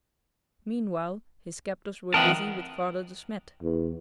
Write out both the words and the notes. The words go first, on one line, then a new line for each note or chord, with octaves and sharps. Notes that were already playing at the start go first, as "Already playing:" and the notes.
Meanwhile his captors were busy with Father De Smet.
E3 C4 A#4 D#5 F#5 G5 A5
E2